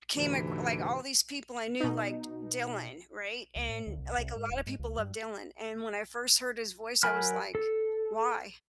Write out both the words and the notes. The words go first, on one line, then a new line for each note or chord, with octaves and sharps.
came ac like, all these people I knew liked Dylan, right? And, like, a lot of people love Dylan, and when I first heard his voice, I was, like, "Why?”
D2 G#2 C3 E3
B2 D#4
C#2
A2
D2
C2
C2
G#2
D#1
G#2
C#2
G2
F#3 A#4 G#5 B5 F6
A4